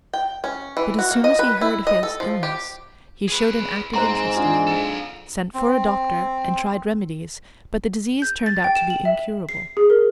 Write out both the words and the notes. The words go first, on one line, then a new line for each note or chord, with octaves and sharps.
But as soon as he heard of his illness, he showed an active interest in him, sent for a doctor, and tried remedies, but the disease turned out to be incurable.
G5
C#4
E3
F#4
A#3
D#5
B4
E4
D#5
A4
F3
G4
G#4 B4
G#2 C4 C5 A#5 C6
D4 F4 G#4
A4 F5
C4
G6
A6
G5
E7
F#7
E5
C7
G#4
A#4